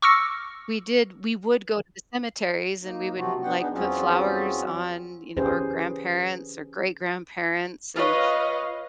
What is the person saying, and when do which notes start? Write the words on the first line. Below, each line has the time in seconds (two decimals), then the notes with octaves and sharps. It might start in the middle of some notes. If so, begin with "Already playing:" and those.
we did we would go to the cemeteries and we would, like, put flowers on, you know, our grandparents or great grandparents, and,
0.02 C#6 D6 E6 F6 A#6 C#7
2.83 A#3 D#4
3.17 C3 F3 F#3 F4 F#4
3.43 B3 D4 F#5 G5
3.59 B3 D4 D#4 G#4
3.74 E2 F#3 C4 C#4 F4 G#4
5.37 E3 C#4 G4 G#4 B4 C5
7.96 F4 B4 C#5 D#5 F5